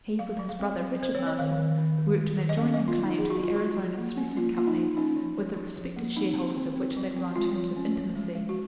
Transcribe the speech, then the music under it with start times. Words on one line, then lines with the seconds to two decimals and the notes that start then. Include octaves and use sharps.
He, with his brother, Richard Marston, worked an adjoining claim to the Arizona Sluicing Company, with the respected shareholders of which they were on terms of intimacy.
0.19 F#3 F5
0.39 F#3
0.49 F5
0.60 C4
0.78 F#3
0.99 C4 C5
1.15 C4 C#5
1.27 D#5
1.39 D#3 F5
1.58 D#3
1.79 D#3
1.98 D#3
2.18 G#3
2.38 D#3
2.49 D#5
2.58 C#4 F5
2.74 F#3 D#5
2.88 F4
2.98 F#3
3.03 D#4
3.17 F#3 G#4
3.30 F#4
3.37 F#3
3.43 F4
3.56 F#3 F#4
3.77 F3
3.98 A#3
4.18 C#4
4.37 A#3 F4
4.57 A#3 F4
4.67 D#4
4.77 F3
4.97 C#4 D#4
5.16 F3
5.38 F3
5.57 F3
5.77 F3
5.96 A#3
6.16 C4 D#4
6.37 C4
6.57 C4
6.76 C4
6.97 F#3
7.16 C4
7.36 G#3 F4
7.56 F3
7.76 C#4
7.96 F3
8.15 G#3
8.35 G#3
8.49 F#4